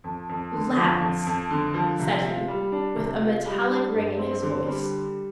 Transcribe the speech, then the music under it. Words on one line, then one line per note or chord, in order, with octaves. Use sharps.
"Lads!" said he, with a metallic ring in his voice.
F2
F2
D3
F3
F2
F2
D3
F3
C3
F4
G3
D4
C3
F4
G3
D4
G2
C4
D3
G3